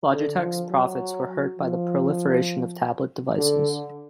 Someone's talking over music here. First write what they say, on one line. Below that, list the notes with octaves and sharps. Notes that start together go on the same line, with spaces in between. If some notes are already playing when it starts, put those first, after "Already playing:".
Logitech's profits were hurt by the proliferation of tablet devices.
D3
F3
F#3
F3
D3